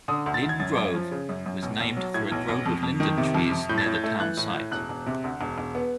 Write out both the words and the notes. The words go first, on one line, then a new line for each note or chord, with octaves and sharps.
Linn Grove was named for a grove of linden trees near the town site.
D3 D#6
D2
A6
D2
G#6
F#2 A6
F#2
F3
C#3
F#2
F#2
B1
B1
F#3
A2 G#6
B1
B1
F2
F2
D#3
C3
F2
F2
A2 G6
A6
G#6
A2
G6
A3
E3 F#6
A2
A2
E1 F#6
E1
C3
D2
E1
E1
B3